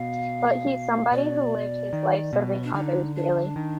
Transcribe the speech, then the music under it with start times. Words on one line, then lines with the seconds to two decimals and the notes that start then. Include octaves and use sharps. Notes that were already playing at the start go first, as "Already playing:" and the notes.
But he's somebody who lived his life serving others, really.
Already playing: B2 F5
1.11 B2 D5
1.93 D#3
2.33 B2
2.64 D4
2.74 D3 D#4
3.15 D4
3.56 D#3